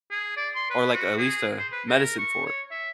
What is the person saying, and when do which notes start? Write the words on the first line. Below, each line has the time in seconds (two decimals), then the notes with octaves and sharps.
Or, like, at least a medicine for it.
0.11 G#4
0.37 D5
0.56 C6
0.71 B4
0.94 F#4
1.18 G#4
1.58 C5
1.72 B4
1.89 A#4
2.19 C#6
2.46 C#5
2.71 E5